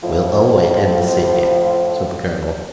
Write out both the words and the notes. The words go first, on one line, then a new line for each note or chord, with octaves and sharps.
"We'll all wait and see," said the colonel.
F2 A2 F3